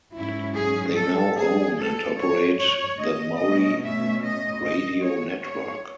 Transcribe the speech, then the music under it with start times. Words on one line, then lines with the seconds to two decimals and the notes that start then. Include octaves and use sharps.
They now own and operate the Murri radio network.
0.16 G#2 F#3 C#4 E4
0.57 G#4
0.97 A4
1.38 G#4
1.79 A4
2.20 C#5
2.60 C#5
3.01 D#5
3.41 B2 A3 C#4 D#5
3.82 E5
4.23 D#5
4.64 D#5
5.04 C#5
5.44 C#5